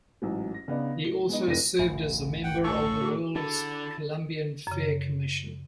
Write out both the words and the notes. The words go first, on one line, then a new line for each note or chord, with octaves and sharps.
He also served as a member of the World's Columbian Fair Commission.
A1 G#2 F#3
A#6
C#3 B3 D4 D#4
A2 G7
G#3 B3 D#4
F1 A2 A#6 D#7
A1 D2 G2 E5 G#5 B5
F#5 G5
A2 D#4 A4 G#5 C#6
F#4 G#4
D3 D4 E4 A4 A5
F#2 C#3